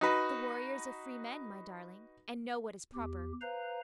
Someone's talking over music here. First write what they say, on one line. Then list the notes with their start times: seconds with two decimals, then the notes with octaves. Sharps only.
'The warriors are free men, my darling, and know what is proper.
0.01 D#4 F#4 B4
2.94 E2 G4
3.41 B4 C5 F5 A#5